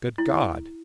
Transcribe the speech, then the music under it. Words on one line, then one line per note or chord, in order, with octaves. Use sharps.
"Good God!"
E4